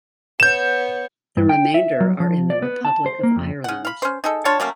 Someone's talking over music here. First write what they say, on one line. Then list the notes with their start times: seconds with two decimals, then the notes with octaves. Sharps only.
The remainder are in the Republic of Ireland.
0.40 B3 C#5 G6 E7
1.37 G2
1.49 G5
1.74 E5
2.00 F#3
2.20 F3
2.50 D5
2.62 B3
2.85 A5
3.06 C5
3.23 A#3
3.36 F2
3.64 C#3 F#5
3.85 F5 B5
4.02 C#4 C5
4.24 D#4 G#4 A4
4.45 D4 F4 C#5 A5
4.60 F#3 A3 A#3 C#4